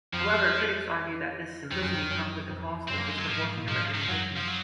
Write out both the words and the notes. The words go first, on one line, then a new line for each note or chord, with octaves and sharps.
However, critics argue that this simplicity comes at the cost of disproportionate representation.
F2 F3
F2 D#3
F#2
F2
F#2
F2
F#2 C4
A#3
G#3
F#3
G#2 F3
A#2
G#2 F3
D#3
F3
F#2 F#3
F3
F#3